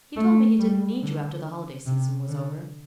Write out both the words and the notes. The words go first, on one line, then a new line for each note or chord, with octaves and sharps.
He told me he didn't need you after the holiday season was over.
A3
G3
D3
C3
D3